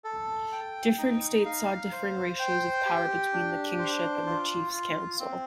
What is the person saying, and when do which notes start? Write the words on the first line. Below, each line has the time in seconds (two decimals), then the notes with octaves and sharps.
Different states saw differing ratios of power between the kingship and the chiefs' council.
0.04 A4
0.52 G5
0.98 D#4
1.45 F5
1.92 C5
2.39 G5
2.86 G4
3.33 D4
3.79 C5
4.27 F4
4.73 F4
5.20 C4